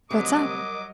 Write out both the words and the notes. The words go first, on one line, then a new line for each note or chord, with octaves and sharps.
'What's up?
D2 C3 F#3 G3 A#4 D#5 D6 D#6